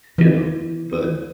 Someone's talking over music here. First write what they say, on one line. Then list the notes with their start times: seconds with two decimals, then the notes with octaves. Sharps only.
you know, but
0.18 E3